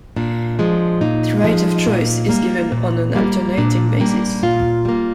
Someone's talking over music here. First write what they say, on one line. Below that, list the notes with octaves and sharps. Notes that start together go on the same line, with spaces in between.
The right of choice is given on an alternating basis.
A#2 D4
F3 G#3
A#2 D#4
F3 G#3
A#2
G3 A#3
A#2
G3 A#3
A#2 D4
G3 A#3
A#2 F4
G3 A#3